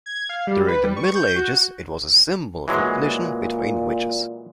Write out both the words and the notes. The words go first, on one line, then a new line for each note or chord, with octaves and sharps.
During the Middle Ages it was a symbol of recognition between witches.
G#6
F5
G3
B4
G3
C#6
G6
F#4
A#2 E3 F#3 G#3